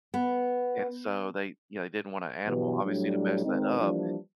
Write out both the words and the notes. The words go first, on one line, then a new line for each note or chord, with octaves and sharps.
And so, they you know, they didn't want an animal, obviously, to mess that up,
B3
G2 B2 E3 F#3 G3 B3
A2 F#3 G3 D4
D#3 G#3 C4 D#4
E3 F3 G3 A#3 D4